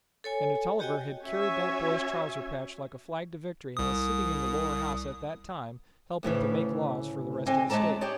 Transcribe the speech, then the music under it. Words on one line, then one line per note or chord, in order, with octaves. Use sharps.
And a Tolliver had carried that boy's trouser-patch like a flag to victory and was sitting in the lower House at that time helping to make laws for the rest of the State.
A4 C#5 G#5
F#4 G4 C#5 D#5 G5 G#5
C#4 F#4 C#5 E5 G#5
C2 D#6
D2 A2 C#3 E3
D3 C4 D#5 G#5
G#3 C#4 D5 A5 A#5
G4 G#4 C#5 D5